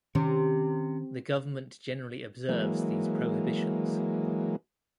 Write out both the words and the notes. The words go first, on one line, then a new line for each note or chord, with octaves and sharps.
The government generally observes these prohibitions.
C3 D#3 C#4
E3 F#3 G#3 A#3